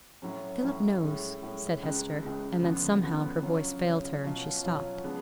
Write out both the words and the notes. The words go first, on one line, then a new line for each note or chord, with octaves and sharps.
'Philip knows,' said Hester, and then, somehow, her voice failed her and she stopped.
A2 F#3 C#4
A2 F#3 C#4
A2 G#3 C#4
A2 G#3 C#4
C#2 C#3 G#3
C#2 C#3 G#3
D2 C#3 F3 B3
D2 C#3 F3 B3
C#3 F#3 C#4 F4
C#3 F#3 C#4 F4
B2 F#3 C#4 F4
B2 F#3 C#4 F4
C#3 G#3 B3 D4